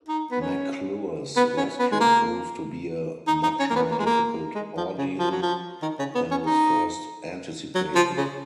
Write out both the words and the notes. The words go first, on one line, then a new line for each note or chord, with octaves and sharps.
McClure's rescue proved to be a much more difficult ordeal than was first anticipated.
D#4
B3
C#4
B3
C#4
B3
G#3
A#3
D#4
D#4
C#4
A#3
B3
A#3
G#3
A#3
G#3
F3
C#3
F3
F#3
F3
D#3
C#3
B3
C#4
D#4
F#3
F3
C#3